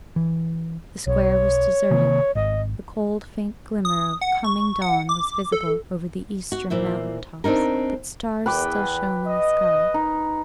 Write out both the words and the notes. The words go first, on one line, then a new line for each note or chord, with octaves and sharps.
The square was deserted, the cold faint glimmer of coming dawn was visible over the eastern mountain-tops, but stars still shone in the sky.
E3
B1 C#5
C3 D#3 A#3
G#1 D#5
D#6
F#5
C#6
F#5
D6
A4
F#4
A#2 E3 C5 E5
C4 D4 D#4 A#4
E2 B4 G5 D6
D#5
D#4